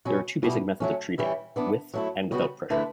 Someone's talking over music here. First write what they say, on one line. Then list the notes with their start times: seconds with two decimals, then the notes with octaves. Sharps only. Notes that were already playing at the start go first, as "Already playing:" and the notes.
There are two basic methods of treating: with and without pressure.
0.05 B2 F#3 C#4
0.43 B2 G3 B3 E4
0.80 F#3 A3 C#4
1.18 E3 G3 C#4 E4
1.56 E3 B3 D4
1.94 F#3 A3 E4
2.31 C#3 G3 B3 F#4
2.70 D3 A3 E4 B4